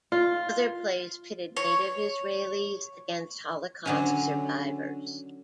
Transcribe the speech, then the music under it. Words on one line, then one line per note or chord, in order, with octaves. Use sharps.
Other plays pitted native Israelis against Holocaust survivors.
F4
C#5
D3 F#3 C#4